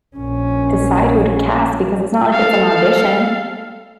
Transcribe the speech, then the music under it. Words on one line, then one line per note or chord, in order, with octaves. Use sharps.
decide who to cast? Because it's not like it's an audition.
A#1 C#4
A4 F5